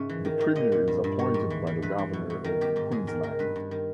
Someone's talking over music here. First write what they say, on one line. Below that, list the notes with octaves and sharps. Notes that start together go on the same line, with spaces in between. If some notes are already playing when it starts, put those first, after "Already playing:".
The Premier is appointed by the Governor of Queensland.
Already playing: G#2 C#3 E5
E3
D#3
D#3
A#2 D#5
A#2
G2
G2
D#3 C#5
G#2
E3
E3
G2 B4
E3
B2
B2
D#3 A#4
D#3 G4
G#2 G4
G#2 G#4
D#3 A#4
D#3 A#4
G2 B4
G2
D#3